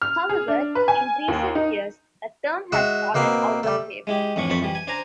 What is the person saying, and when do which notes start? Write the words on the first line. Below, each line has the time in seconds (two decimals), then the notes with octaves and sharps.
However, in recent years the term has fallen out of favor.
0.02 F6
0.29 G#4
0.48 D4
0.75 B4
0.88 G#5
1.28 D#2
1.55 D#4
2.72 G#3 F#4 E5
3.14 B2 A#3 C4 B5
3.63 G3 A3
4.07 G#3 E4 G4
4.36 F2 A2 E3 D4 C#6
4.50 F2 C5 A5 B5 C#6
4.62 E3 G3
4.75 G#5
4.87 D4 C5 G#5 A#5